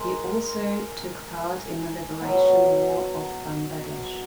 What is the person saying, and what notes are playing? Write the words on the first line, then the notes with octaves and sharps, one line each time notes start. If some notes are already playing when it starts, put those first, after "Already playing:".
He also took part in the Liberation War of Bangladesh.
Already playing: G#3 A#4
B2 F#3 B3